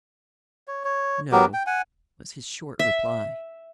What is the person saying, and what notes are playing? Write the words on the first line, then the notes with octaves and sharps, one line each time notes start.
"No," was his short reply.
C#5
C#5
F#3 B3 G4 A#4
G5
F#5 G#5
E5